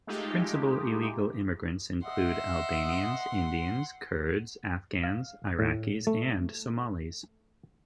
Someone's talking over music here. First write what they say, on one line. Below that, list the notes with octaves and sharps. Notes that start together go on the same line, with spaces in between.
Principal illegal immigrants include Albanians, Indians, Kurds, Afghans, Iraqis and Somalis.
G#3 A3 D#4 F4 G4
D#5 E5 F#5 C6
F5
A2
A3